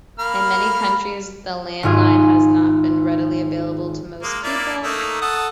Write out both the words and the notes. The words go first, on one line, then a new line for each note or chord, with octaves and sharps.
In many countries the landline has not been readily available to most people.
A#3 B5 F6
G#1 G#2 F4 G#4
G#3 A#3
A#3 E4 D5
A3 A#3 D#4
A4 F#5 D#6